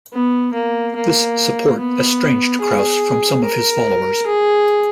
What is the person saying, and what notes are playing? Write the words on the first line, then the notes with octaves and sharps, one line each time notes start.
This support estranged Kraus from some of his followers.
B3
A#3
A#3
B3
G#4
A#4
G#4